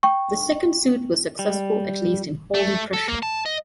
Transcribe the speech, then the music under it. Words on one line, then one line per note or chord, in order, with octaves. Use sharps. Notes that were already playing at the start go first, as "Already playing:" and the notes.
The second suit was successful, at least in holding pressure.
G5 C#6
G3
A3
A4
A#3
A5
D#5